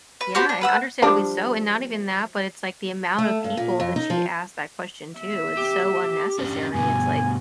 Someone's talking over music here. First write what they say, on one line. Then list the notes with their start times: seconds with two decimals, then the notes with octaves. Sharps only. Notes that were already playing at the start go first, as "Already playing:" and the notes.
Yeah, and understandably so, and not even that, but it's like the amount of people that she asked that question to, it's so unnecessary, it's like,
0.21 B4
0.35 F#4 G4 C5 B5
0.49 D4
0.61 B4 F#5 E6
1.02 F3 G3 D4
3.18 A3
3.44 G2
3.57 A#2
3.80 F2
3.96 D#4
4.10 F3
5.19 E5
5.57 G4
6.38 C#4 D4 G4
6.74 G2 B2 D3 G#5